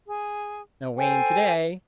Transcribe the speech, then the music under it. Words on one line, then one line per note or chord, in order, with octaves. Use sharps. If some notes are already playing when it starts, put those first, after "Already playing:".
No rain to-day.
G#4
A4 C5 G5 G#5